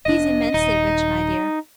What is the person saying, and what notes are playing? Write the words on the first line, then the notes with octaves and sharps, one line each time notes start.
He's immensely rich, my dear.
F1 D4 D#5
D#1 D#4